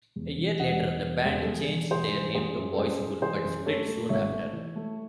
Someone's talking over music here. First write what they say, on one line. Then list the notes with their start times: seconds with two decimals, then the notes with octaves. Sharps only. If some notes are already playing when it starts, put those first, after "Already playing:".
A year later the band changed their name to Boyschool but split soon after.
0.16 E2
0.38 E1
0.60 E1 D#5 F#5
0.82 E2
1.03 E1
1.25 E2 G#4 C5
1.42 A4
1.47 E2 G#4
1.68 E1
1.91 E3 G#4 C5
2.13 E3
2.35 F#2 G#4 C5
2.56 F#2
2.73 A4
2.78 F#2 G#4 C5
3.00 F#2
3.22 E3 G#4 C5
3.44 F#2
3.66 A3 A4 C#5
3.88 A3
4.09 G#1 C#5 E5
4.31 A3
4.53 E3
4.76 A3